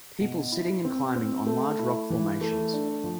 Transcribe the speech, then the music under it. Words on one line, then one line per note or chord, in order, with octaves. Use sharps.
People sitting and climbing on large rock formations.
B2
E4
C4
C4
A3
E4
E3
A3
D4
F3